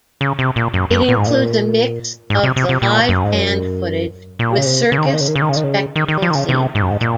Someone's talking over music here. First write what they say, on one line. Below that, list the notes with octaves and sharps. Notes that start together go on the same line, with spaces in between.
It includes a mix of the live band footage with circus spectacle scenes.
C#3
C3
A#2
F#2
F#2
A#2
G#2
A#2
G#2
C3
C3
C3
A#2
F#2
G#2
F#2
A#2
C#3
C3
C#3
D#3
C#3
D#3
C#3
D#3
C#3
D#3
C#3
D#3
C#3
D#3
D#3
F3
D#3
C#3
C3
G#2
F#2
G#2
A#2